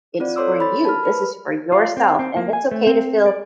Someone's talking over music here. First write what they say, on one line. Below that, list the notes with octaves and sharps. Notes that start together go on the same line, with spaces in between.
it's for you, this is for yourself. And it's okay to feel
C4 F4 D5
A4 C5 C#5 C6 D6 E6
B5 A6
A5 B5 F6
A#4 B4
F4
C4
C4
A#3
G#5
A3
C4
D5